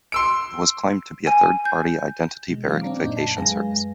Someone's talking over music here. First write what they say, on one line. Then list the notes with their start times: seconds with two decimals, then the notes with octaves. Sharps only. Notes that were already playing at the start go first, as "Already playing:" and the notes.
It was claimed to be a third-party identity verification service.
0.12 C6 E6 D7
1.27 G#5
1.65 G6
2.48 B2 G#3
2.65 E3 F#3 C4 F5
2.81 C4 D4 A#5 D6
3.04 F#2 A#2 D4 D#4 G6
3.17 A5
3.38 F#2 G#3 B4 F5 G#5 A#6